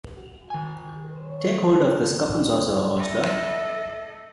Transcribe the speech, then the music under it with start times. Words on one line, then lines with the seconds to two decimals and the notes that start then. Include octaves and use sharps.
Take hold of this cup and saucer, ostler.
0.50 D#3 G#5
2.98 A4 D#5 E5